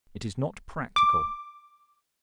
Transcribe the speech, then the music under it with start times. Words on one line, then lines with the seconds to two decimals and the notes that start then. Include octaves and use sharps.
It is not practical.
0.96 D6